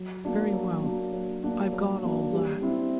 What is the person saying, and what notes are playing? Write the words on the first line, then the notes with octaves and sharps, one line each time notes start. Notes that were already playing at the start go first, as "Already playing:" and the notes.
Very well--I've got all that.
Already playing: F#3
A#3 D4 F#4
F#3
A#3 D4 F#4
F#3
A#3 D4 F#4
F#3
A#3 D4 F#4
G3
C4 E4